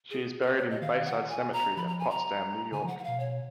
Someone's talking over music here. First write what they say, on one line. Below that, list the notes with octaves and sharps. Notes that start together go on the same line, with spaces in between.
She is buried in Bayside Cemetery at Potsdam, New York.
G#4
C#5
B4
C#5
D#5
D#3 F5
F#5
G#5
A#5
F3 B5
A#5
G#5
A#5
C#3 G#5
F3
F#5
F#5
B2 F5
C#5